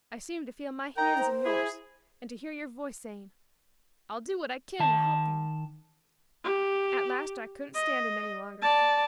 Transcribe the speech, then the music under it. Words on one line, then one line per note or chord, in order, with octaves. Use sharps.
I seemed to feel my hands in yours and to hear your voice saying, 'I'll do what I can to help you.' At last I couldn't stand it any longer.
D#4 A#4 G5 A#5
C5
E4 G#4
D#3 A5
G4
D#5
D5 A5